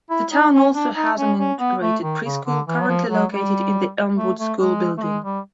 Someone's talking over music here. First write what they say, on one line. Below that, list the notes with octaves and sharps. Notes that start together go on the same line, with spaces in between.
The town also has an integrated preschool currently located in the Elmwood School building.
E4
D#4
C#4
D4
D#4
C#4
C#4
B3
A3
D#3
C#3
D3
E3
F#3
F3
F#3
G3
A3
A3
G#3
A3
G#3
G3